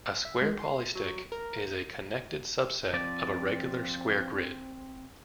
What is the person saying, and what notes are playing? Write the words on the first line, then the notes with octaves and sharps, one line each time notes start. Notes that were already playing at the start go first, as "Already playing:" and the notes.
A square polystick is a connected subset of a regular square grid.
E5
G#3
C6
F#3
A#4
F3 C4 D5